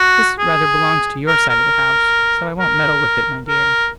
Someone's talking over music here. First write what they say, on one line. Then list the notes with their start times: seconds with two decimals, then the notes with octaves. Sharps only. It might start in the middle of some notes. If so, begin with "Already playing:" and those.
"This rather belongs to your side of the house, so I won't meddle with it, my dear."
Already playing: F#4
0.39 G#4
1.27 A#4
1.49 A#4
2.60 A#4
3.48 A#4